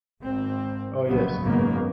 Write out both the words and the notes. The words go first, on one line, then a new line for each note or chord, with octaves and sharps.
Oh, yes.
G#1 C4
A#1 C#3 F#3 B3
G#1 F#2 C#3 G#3 A#3 B3